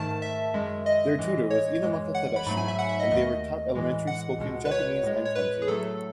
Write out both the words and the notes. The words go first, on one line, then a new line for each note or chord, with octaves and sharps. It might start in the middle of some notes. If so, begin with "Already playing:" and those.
Their tutor was Inomata Tadashi, and they were taught elementary spoken Japanese and kanji.
Already playing: G#2 D#3 A3 A5
E5
F#2 D#3 G#3
D#5
A2 E3 G#3
C#5
F#2 E3 G#3
F#5
B5
G#2 F#3 A3 B5
G#5
E5
F#5
E5
D#5
D#2 D#3 A3 D#5
A2 E3 G#3
F#5
C#2 B2 G#3
B4
C#5
A2 G#3
C#5
B4
G#4
A2 F#3 A3 A4